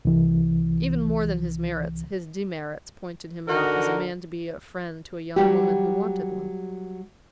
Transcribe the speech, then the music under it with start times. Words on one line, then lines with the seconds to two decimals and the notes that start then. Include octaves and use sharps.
Even more than his merits, his demerits pointed him out as a man to be a friend to a young woman who wanted one.
0.05 C2 E3
3.48 D3 D#4 F#4 A#4
5.36 F#3 G3 F#4 G4